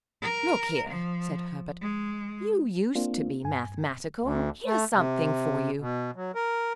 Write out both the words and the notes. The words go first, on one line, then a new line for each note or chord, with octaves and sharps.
"Look here," said Herbert, "you used to be mathematical; here's something for you."
A#4
F3
G#3
A#3 C4 D4 F4
G2 G#5
D2
A3
C3
B2
F#3
A#4